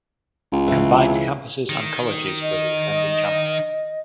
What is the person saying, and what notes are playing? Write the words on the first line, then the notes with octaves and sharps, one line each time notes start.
Combined Campuses and Colleges were the defending champions.
C#2
C#3 E3
D#3
D#5